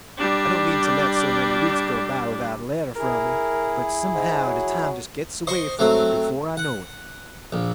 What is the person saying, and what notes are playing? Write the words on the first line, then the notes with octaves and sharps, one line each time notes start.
I don't mean to let so many weeks go by without a letter from me, but somehow the time just gets away from me before I know it.
G3 D4
E4 G#4 A#4
G#2
F#3
C5 D#5 C6 C#6
F#3 A3 C4
F#5
A#1